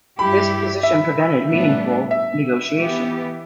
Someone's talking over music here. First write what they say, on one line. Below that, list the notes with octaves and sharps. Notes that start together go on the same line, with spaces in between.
This position prevented meaningful negotiation.
G2 G3 E4 G4 B5
E5
A2 G3 B3 D4
E5
E3 B3 G4